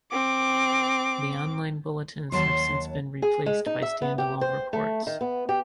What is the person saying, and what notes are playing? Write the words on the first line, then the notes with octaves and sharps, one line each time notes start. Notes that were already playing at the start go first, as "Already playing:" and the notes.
The online bulletins have since been replaced by stand-alone reports.
C4 D6
D#2 F#3 A5 C6
G#4
G#3
D#4
E5
B3
G4
C5
A3
D#3
B3
G4